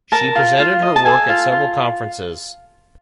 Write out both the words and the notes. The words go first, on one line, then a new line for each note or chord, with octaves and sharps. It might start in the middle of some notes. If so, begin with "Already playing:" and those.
She presented her work at several conferences.
A#4 A5
F4
F4
D#5
A5
A4 G#5
F4
F4